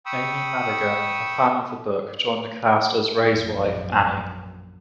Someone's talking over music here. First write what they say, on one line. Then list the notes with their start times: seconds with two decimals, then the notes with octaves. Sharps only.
Amy Madigan, a fan of the book, joined the cast as Ray's wife, Annie.
0.06 G5 B5 C#6 D#6 E6
3.26 A#1 F#2